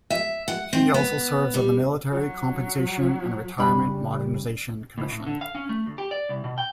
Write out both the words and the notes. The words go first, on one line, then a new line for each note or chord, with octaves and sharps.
He also serves on the Military Compensation and Retirement Modernization Commission.
E5
F#5
C4
B3
G3
F#3
F#2 C#3 G3 D4 B5
C#2
A2
D3
F5
C#4
A3
D2
G4
D5
C2
B2
G5